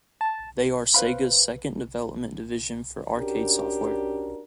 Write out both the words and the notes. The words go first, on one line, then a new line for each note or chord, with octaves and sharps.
They are Sega's second development division for arcade software.
A5
B4 C5 F5 B5
C#4 D4 F#4 G4 A#4